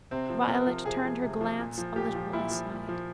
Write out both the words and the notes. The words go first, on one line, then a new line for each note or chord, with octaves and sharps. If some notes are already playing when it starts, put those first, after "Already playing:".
Violet turned her glance a little aside.
C3 C4
F3
C3 A#4
F3
C3 G#4
F3
C3
F3
A#2
F3
A#2 G4
F3
A#2 E4
F3
A#2
F3